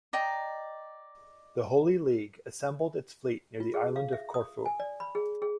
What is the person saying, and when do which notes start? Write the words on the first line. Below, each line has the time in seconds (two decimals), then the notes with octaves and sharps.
The Holy League assembled its fleet near the island of Corfu.
0.13 D5 D#5 G5 A#5
3.60 F4
3.74 G#4
3.96 F5
4.13 E5
4.34 D#6
4.66 G#5
4.80 D5
5.00 B5
5.15 G#4
5.42 G#4